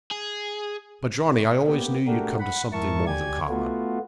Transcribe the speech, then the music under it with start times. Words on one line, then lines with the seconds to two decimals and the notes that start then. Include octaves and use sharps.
But, Johnny, I always knew you'd come to something more than common.
0.11 G#4
1.67 A#3 B3 G4
2.07 A3 D4 F#4 G4 A#4
2.40 F#5 B5
2.72 F2 G#2 E4 A#4 A5 C#6
3.07 D2 G4 D5 G#5 G#6
3.49 A3 B3 F4 F#4